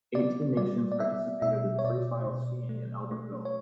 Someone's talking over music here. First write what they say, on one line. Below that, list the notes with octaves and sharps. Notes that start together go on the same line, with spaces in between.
Eighteen nations participated in freestyle skiing at Albertville.
B3 D5
G3 D5
D5
B3 E5
B2 E5
C#5
B2 D5
B2
A3
A3
C#5